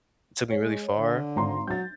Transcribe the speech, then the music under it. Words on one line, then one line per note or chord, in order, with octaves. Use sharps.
took me really far,
G#3 C#5
D3
G#1 A#5 C6
F#3 G6 A6